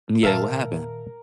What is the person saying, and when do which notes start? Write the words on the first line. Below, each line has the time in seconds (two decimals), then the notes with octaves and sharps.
Yeah. What happened?
0.23 A#2 D#3 A#4 E5 F5 A5